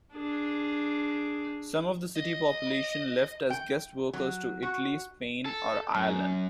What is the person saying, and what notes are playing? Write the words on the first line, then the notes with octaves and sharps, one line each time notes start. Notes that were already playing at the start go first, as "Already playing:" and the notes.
Some of the city population left as guest workers to Italy, Spain, or Ireland.
D4 G#4
D#5
G5
F#3
F#4
A4
F#2